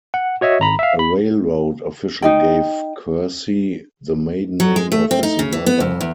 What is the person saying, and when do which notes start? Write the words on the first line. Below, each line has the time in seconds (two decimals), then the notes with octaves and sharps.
A railroad official gave Kersey the maiden name of his mother.
0.14 F#5
0.41 F#4 C#5 D#5 E5
0.60 G#1 A#5 B5
0.79 E5 F5
0.99 B5
2.22 D#4 D#5 G5
4.60 F#3
4.76 G#3
4.92 A3
5.11 C4
5.23 D#4
5.39 C#3
5.52 E3
5.66 B3
5.80 F2
6.01 E2